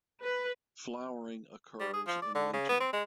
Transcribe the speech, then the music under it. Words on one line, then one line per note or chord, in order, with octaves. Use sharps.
Flowering occurs in winter.
B4
G3
G#4
F3
D5
D3
C#3
B3
C4
G#3